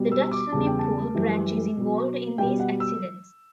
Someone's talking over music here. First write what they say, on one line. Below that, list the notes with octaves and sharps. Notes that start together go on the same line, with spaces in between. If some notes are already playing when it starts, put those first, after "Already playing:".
The Dutch swimming pool branch is involved in these accidents.
Already playing: B2 G3
E6
D6
E2 C#3 G3 A5
G5
A5
F#2 E3 G3
B2 F#3
B2 G3 G5
F#5
E6